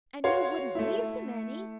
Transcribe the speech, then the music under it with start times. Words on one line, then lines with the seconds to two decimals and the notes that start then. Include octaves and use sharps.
And you wouldn't leave them any?
0.24 F#4 C#5 F5 C6
0.75 A3 E4